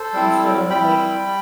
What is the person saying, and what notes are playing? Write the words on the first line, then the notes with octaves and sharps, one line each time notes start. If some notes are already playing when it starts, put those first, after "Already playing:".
Instead of like,
Already playing: A4 C5
G3 C4 E4
G3 C4 E4 G5 B5
G3